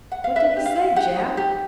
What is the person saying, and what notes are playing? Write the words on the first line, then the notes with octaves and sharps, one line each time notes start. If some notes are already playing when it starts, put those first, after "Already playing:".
"What did he say, Jap?"
F#5
F5
B4 E5
G4
F5
E4
G4 F#5
D#4
G4